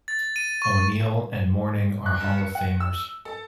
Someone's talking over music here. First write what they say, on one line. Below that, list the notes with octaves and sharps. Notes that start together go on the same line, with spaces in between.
O'Neal and Mourning are Hall of Famers.
A6
D#7
C#6
F#6
G2
C#7
F#5
E6
A4